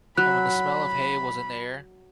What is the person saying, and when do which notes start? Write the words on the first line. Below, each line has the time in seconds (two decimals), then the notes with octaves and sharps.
And when the smell of hay was in the air!
0.18 F#3 B5 F#6